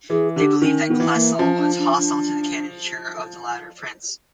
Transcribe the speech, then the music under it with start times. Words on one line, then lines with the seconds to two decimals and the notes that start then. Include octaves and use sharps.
They believed that Klesl was hostile to the candidature of the latter prince.
0.10 E3 G#4
0.36 D3 G4
0.62 D#3 C#4
0.88 D#3 B3
1.00 E3
1.14 A#3
1.38 F3 C#4
1.58 D4
1.78 D4
1.98 D4